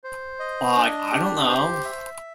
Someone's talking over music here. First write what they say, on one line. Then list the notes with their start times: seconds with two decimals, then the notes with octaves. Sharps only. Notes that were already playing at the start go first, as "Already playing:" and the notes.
Like, I don't know.
0.04 C5
0.40 D#5
0.76 D4
1.12 G4
1.49 C5
1.85 E5